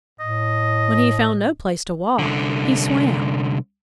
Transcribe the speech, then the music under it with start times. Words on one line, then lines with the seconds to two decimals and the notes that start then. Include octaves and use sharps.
When he found no place to walk, he swam.
0.20 A2 D#5
2.19 C2 D3